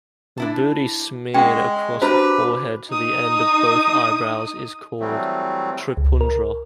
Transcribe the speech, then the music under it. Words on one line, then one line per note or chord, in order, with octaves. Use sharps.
Vibhuti smeared across the forehead to the end of both eyebrows is called Tripundra.
D4 E4 A5
G#3 C#4 F#5 G5
D4 F#4 G4 B4 C5 A#5
D#4 D#6
E3 F#3 G3 A3 C4
C#2
A#4